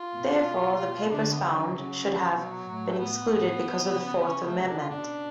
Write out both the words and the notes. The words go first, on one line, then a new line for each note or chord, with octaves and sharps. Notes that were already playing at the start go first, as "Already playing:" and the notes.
Therefore, the papers found should have been excluded because of the Fourth Amendment.
Already playing: F4
B2
D3 D4
B3
D3
F#3
C#3 F#3
B2
A2
A3
A2 B3
A2
B2
C#3
C#4
B3
A3
D4
F4
B2 D4